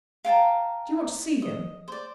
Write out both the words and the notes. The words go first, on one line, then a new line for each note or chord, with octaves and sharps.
Do you want to see him?
F5 G5 A5 A#5
D#5
C5 D5